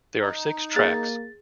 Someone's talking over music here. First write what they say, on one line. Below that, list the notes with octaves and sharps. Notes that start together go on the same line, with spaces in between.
There are six tracks.
D#4
A#3 G#4 A6